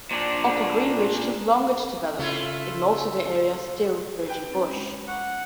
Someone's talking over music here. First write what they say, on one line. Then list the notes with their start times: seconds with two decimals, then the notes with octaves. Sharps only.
Upper Greenwich took longer to develop, with most of the area still virgin bush.
0.11 A#2 D4
2.19 C#3 A3 E4 F4
4.26 B4 G5
4.50 C4 C#4 A6
4.66 G#3 C#4 B5
5.08 F#5 C#6 D6